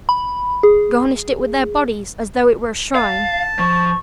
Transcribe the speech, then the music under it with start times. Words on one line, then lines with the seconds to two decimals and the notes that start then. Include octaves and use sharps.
Garnished it with their bodies as though it were a shrine.
0.09 B5
0.63 G#4
2.96 F5 A5
3.59 F3 C#6